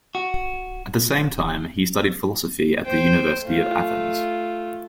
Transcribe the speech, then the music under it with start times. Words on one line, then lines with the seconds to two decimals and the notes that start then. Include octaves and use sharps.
At the same time, he studied philosophy at the University of Athens.
0.15 F#4
2.84 C5 G5
3.44 A3 F4